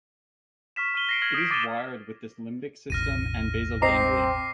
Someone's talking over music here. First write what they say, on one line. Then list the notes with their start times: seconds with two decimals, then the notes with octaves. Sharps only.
It is wired with the limbic system and basal ganglia.
0.76 C#6 F6 B6 E7
0.94 C#6 F6 D#7 G7
1.09 A#6 C7 D7
1.22 F6 G#6 A#6 F#7
1.34 D#6 G6 B6 C7 D7
1.51 D6 A6 D#7 E7 G7
2.90 E1 A1 F6 A#6 D#7
3.82 C4 C5 D#5 A#5 D6 A#6 C7